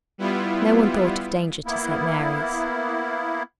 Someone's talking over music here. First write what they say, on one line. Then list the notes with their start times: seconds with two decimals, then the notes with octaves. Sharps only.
No one thought of danger to St. Mary's.
0.18 G3 B3 E4 F4
1.66 A#3 B3 E4